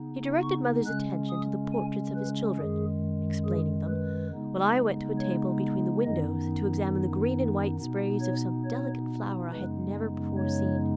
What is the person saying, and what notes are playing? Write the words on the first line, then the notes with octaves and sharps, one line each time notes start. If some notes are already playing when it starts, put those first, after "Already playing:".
He directed mother's attention to the portraits of his children, explaining them, while I went to a table between the windows to examine the green and white sprays of some delicate flower I had never before seen.
Already playing: C#3 B3 D#4
C#6
C#3 G#3 C#4 F#6
D#6
G#5
B4
F#2 D#3 G#3 G#4
G#4
B4
C#3 G#3 B3 D#4
C#5
F#2 D#3 B3 D#4 D#5
B2 B3 D#4
C#5
C#5
F#2 C#3 G#3 B3 D#4 B4
C#5